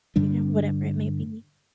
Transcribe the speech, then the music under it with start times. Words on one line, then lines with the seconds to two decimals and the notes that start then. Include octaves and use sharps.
you know, whatever it may be.
0.16 G2 D3 G3 D4